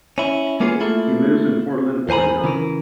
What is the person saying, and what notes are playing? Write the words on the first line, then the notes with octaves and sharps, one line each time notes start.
He lives in Portland, Oregon.
C#4 E4
G#3 A#3 B3 C#4 F4 G#4
A3 A#3 E4 F4 A4
E2 C5 G#5 A#5 B5
C#3 E3 A#4